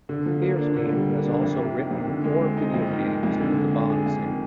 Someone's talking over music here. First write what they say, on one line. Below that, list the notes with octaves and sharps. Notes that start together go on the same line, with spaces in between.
Feirstein has also written four video games in the Bond series.
D3
F3
A#3
D4
D3
G3
A#3
D4
F2
C3
D#3
F2
D3
G#3
C4
D#4
F2
D#3
G#3
F2
D3
G#3
D4
G#4
F2
D#3